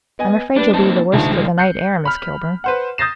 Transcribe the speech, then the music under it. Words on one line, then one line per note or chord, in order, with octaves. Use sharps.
I'm afraid you'll be the worse for the night air, Miss Kilburn.
B3 D#5 G#5
G3 D4 G4 B4
A#3 C4 D#4 A5
C#2 A#2 D#3 D4 E5 A5
G3 A#3 G#4
F#6 G6 C7 C#7
B5 F6
B4 C5 F#5
D#6 G6 A6 A#6 C7 E7